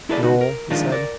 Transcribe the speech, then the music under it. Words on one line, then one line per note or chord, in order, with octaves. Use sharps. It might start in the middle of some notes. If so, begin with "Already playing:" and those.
"No," he said.
E4 G#4 A4 B4 C#5 D5
C#2 D#4 F#4
A#4
D#3 F3 G#3 D4 F4 A#4
A#4 D5